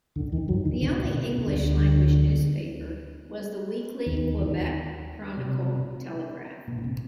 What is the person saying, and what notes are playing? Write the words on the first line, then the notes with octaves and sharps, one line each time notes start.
The only English-language newspaper was the weekly "Quebec Chronicle-Telegraph".
D2 D3
D#2 D#3
F#2 F#3
D#2 D#3
D2 D3
A#2
C3
C3
D2 D3
D#2 D#3
C3
A#2
A#2
C3